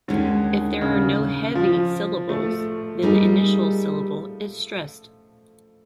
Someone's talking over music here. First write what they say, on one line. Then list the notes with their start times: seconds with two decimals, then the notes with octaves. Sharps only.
If there are no heavy syllables, then the initial syllable is stressed.
0.08 D#2 D3 D#3 G#3 C#4
0.81 C#3
1.55 F3
2.29 A3
3.02 G3 A#3 D#4 G#4